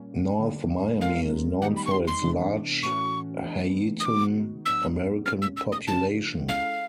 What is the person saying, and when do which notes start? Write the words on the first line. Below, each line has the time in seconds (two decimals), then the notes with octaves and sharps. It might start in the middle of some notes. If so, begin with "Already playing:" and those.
North Miami is known for its large Haitian-American population.
Already playing: A#2 G3 A#3 C#4
0.40 D3 G3 A#3
1.00 G#3 C#4 F4 A#4 F5
1.61 D#3 G3 B3 D#4 G4 F#5
1.77 B5
1.86 C#6
1.91 C6
2.07 C6
2.22 C3 E3 G#3 B3 D4
2.83 A2 E3 A3 C#4 F#4 C#6
3.44 E3 G#3 B3 D4
4.00 D#6
4.05 D#3 G#3 B3 D#4 F#4 D6
4.66 A2 F#3 B3 D4 E6
5.26 B2 G#3 C#4 F6
5.42 E6
5.57 E6
5.72 D#6
5.87 C#3 F3 A#3 D4 F4 A5
6.48 G#3 C#4 E4 A4 F5